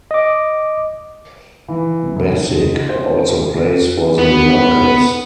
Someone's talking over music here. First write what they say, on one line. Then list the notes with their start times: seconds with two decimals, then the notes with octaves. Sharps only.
Bassick also plays for The Lurkers.
0.11 D#5 D6
1.68 E3
2.16 F1
2.55 G#3
2.89 C5
4.18 B3